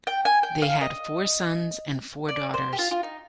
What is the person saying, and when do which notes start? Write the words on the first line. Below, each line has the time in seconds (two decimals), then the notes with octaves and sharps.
They had four sons and four daughters.
0.07 G5
0.25 G#5
0.43 G5
0.62 F5
0.81 D#5
2.29 D5
2.54 C5
2.73 G4
2.79 F4
2.91 F4
3.03 D#4